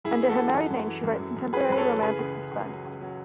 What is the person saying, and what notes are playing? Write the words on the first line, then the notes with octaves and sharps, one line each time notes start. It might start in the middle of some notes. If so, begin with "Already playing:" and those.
Under her married name she writes contemporary romantic-suspense.
F#2 E4 G#4
E3
F#4 A4
E3
F#2
F#2
E3
F#2
F#2
F#2
E3 G#4 B4
F#2 B4
A4 C#5
E3
C#3 G#4 B4
C#2
C#3
C#2
F#3
C#2
F#3